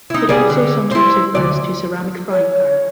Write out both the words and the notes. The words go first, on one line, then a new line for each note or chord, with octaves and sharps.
It also sometimes refers to ceramic frying pan.
D#4 E4
G3 G#4 D5
D3
E4 C5
D2 D5
C#5